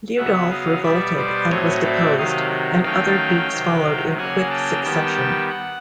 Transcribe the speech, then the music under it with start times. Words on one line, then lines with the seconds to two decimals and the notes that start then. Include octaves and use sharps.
Liudolf revolted, and was deposed, and other dukes followed in quick succession.
0.17 C#3 F#3 B3 E5 F#5
0.50 D#5 F5
0.83 B2 G3 B3 D5 E5
1.17 C5 D5
1.50 A2 F#3 A3 C4 C#5 D#5
1.84 D5 E5
2.17 C3 D#3 F#3 D#5 F5
2.83 D#3 F#3 A3 C#4 F5 G5
3.50 C3 D#3 F#3
4.17 C#3 F#3 A#3 C#4 F#5 G#5
4.50 G5 A5
4.83 D#3 G3 B3 G5 A5
5.49 F#5